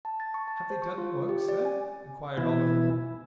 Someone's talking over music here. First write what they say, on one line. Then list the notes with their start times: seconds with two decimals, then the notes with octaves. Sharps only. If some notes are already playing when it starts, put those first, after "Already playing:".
'Have they done work, sir?' inquired Oliver.
0.05 A5
0.20 A6
0.34 C#6
0.48 A5
0.70 C5
0.82 C#6
0.98 F4
1.29 G4
1.49 D5
1.65 G#5
2.37 B2 E3 E4